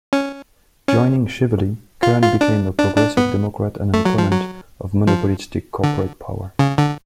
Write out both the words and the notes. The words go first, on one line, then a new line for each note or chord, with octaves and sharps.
Joining Shively, Kern became a progressive Democrat and an opponent of monopolistic corporate power.
C#4
C#4
F4
F4
D4
D4
D4
B3
A3
F#3
F3
F#3
F3
D3
C#3
D3